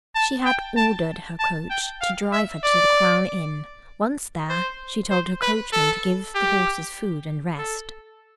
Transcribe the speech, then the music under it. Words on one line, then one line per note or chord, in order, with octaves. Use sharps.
She had ordered her coach to drive her to the "Crown" inn; once there, she told her coachman to give the horses food and rest.
A5
G5
A5
A5
G5
F5
E5
D5
C5
C5
B4
A4
G4
A4